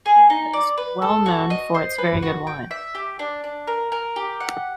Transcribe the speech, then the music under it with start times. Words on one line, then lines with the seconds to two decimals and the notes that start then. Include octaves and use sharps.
Corella is well known for its very good wine.
0.06 G#4
0.30 D#4
0.53 D5
0.78 B4
1.02 A4
1.26 F#4
1.50 D#5
1.74 C5
1.98 B4
2.23 F#4
2.47 G5
2.71 E5
2.95 G4
3.19 D4
3.44 D4
3.67 A#4
3.92 A#4
4.16 G4
4.40 F#5